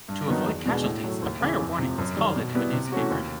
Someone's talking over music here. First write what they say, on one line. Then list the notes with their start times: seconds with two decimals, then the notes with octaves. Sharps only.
To avoid casualties, a prior warning was called into a newspaper.
0.09 G2
0.28 D#3 F#3 B3 D#4
0.47 E2
0.65 B2 G#3 B3 D4
0.85 A2
1.04 F#3 A3
1.22 D#2
1.41 C#3 E3
1.60 F2
1.78 C3 F3
1.98 F#2
2.16 D#3 G3
2.36 B2
2.54 G3 B3 E4
2.73 C3
2.92 E3 A3 C#4 F#4
3.11 D#2